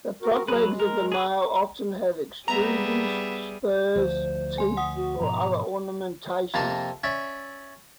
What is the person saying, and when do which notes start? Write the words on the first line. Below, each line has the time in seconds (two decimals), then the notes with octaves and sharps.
The front legs of the male often have extrusions, spurs, teeth, or other ornamentation.
0.22 F#4 A#4
0.48 F#3 G#4 A#4 B4
0.65 G#3
0.80 A#4
1.12 G#4 B4
2.48 G3 B3 G#4 E5 A#5
3.95 D2 F3 C5
4.58 G#5 C6
4.77 F#5 D#6
4.96 F#4
5.20 G#2 B2 F3 A#5
6.54 F2 C3 A#3 A5 A#5 C6
7.04 C#4 D5 E5